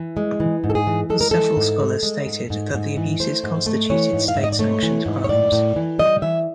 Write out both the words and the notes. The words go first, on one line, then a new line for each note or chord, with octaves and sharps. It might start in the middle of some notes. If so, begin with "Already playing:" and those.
Several scholars stated that the abuses constituted state-sanctioned crimes.
Already playing: E3
G#3
E3
G#2
A4
G#4
E3
G#3 A4
A#4
E3 A4
G#2
G#3
G#3
G#2
G#2
G#2
E3
A3 C5
G#2
A3
E3 C#5
G#2
F5
G#2 E5
D#5
D5
A3 C#5
E3
G#2
C#5
A2 D5
A2
E3
G3 D#5
E3 E5